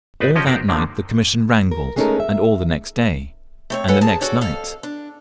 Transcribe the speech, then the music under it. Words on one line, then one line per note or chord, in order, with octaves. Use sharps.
All that night the commission wrangled, and all the next day, and the next night.
G#1 D#4 B4 C5 D5
F3 C#4 F#4 G4 D#5
D#4 F#4 G4 A4 A#4 C5
D3 D#3 F3 A3 A#3 D4
A#4
G#3 A3 C#4 D#4 A4 A#4
E5
A3 C4 C#5
A4 B4 C#5 F#5 G#5
G#4 A#4 A5
F#4 G#4 A4 C#5 D5
F2 A4 F5
D4